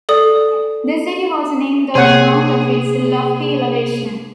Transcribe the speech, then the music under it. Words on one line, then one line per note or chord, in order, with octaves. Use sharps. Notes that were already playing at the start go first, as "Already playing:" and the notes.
The city was named on account of its lofty elevation.
A4 D5 D#6
C3 A#3 G#4 C5 C#5 F#5